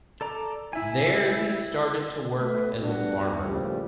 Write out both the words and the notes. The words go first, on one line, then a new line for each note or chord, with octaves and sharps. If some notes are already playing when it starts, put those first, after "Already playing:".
There he started to work as a farmer.
A4 D5 A#5
E4 E5 G#5
A3 B3 B4
G3 B3 D4 F#4
A1 A#2 C#3 F3 G3